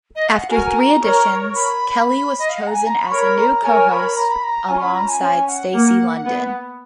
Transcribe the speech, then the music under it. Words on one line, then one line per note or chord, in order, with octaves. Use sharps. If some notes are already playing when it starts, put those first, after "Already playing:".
After three auditions, Kelly was chosen as the new co-host, alongside Stacy London.
D#5
F5
F#5
F#4 A#4 G#5
A#5
A#4 C#5 A#5
B5
B5
D#5
F5
F#5
A#5
G#5
A#5
B5
C#6
A#4 C#5 B5
A#5
A#4 C#5 G#5
B5
A#5
B5
A#5
C#4 F4 G#5
C#6
B5
A#5
G#5
C#4 G#5
F#5
A#3
B3